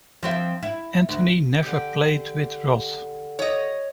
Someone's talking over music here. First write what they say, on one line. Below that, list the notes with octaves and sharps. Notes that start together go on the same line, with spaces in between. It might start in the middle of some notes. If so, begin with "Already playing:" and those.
Anthony never played with Roth.
F3 C4 E5
E4
D2
D3 G4
C#5 D#5